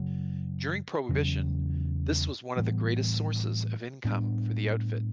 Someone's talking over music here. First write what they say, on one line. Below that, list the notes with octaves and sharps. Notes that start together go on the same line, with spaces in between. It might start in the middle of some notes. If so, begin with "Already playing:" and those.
During prohibition, this was one of the greatest sources of income for the Outfit.
Already playing: F#2 C#3 F#3
E2 C#3 F#3 C#4
A2 E3 G3 B3
A2 G3 B3 D4